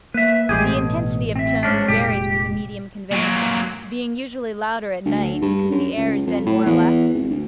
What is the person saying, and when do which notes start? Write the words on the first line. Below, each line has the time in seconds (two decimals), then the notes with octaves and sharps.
The intensity of tones varies with the medium conveying them, being usually louder at night because the air is then more elastic.
0.14 A#3 B4 E5
0.49 A1 A2 G#3 G4 G#4
0.67 B2
1.35 C4 E5
1.63 G#2 C#4 D4
1.88 F1 A#2 G#3 G4
3.12 A#2 F#3
5.06 D2
5.41 G2
5.71 F#2
5.97 C#2
6.27 F2
6.46 A2
6.66 E2
7.14 G#1
7.30 D2